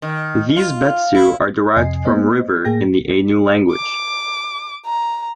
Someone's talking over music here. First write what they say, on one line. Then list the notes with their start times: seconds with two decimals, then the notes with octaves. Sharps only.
These "betsu" are derived from "river" in the Ainu language.
0.02 D#3
0.56 F4
1.15 E4
1.76 F2 C3 D#5 G#5 C7
2.05 A#3 B3 C5 D#5
2.65 A2 A#3 G#4 G5 A#6
3.72 D6
4.86 A#5